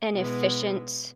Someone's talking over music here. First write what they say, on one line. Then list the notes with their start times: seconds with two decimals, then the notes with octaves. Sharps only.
an efficient,
0.14 B2 G#3 B3 E4